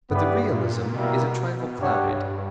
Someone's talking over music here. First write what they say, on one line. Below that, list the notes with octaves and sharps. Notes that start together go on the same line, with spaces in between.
But the realism is a trifle clouded.
G2 B3 E4 G4 B4 D5
A#2
B2 G3 A#3 E4 A#4
G2 D4 G4 C#5 F#5